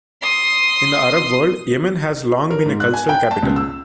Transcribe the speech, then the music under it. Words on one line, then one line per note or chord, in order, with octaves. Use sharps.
In the Arab world, Yemen has long been a cultural capital.
C6 D#6
A#4
G#2
F#6
G#5
G5
A5
C#2
E6